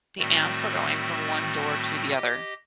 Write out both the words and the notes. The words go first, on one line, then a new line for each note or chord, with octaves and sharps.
the ants were going from one door to the other.
A2 D#3 G3 A3 C4 F#4
G4 D#5